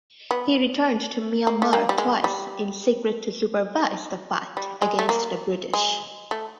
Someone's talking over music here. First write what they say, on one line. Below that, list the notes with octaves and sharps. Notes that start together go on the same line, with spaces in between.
He returned to Myanmar twice in secret to supervise the fight against the British.
B3
A#3
A3
A#3
G3
G#3
G3
G3
G#3
A3
A#3
G#3
A3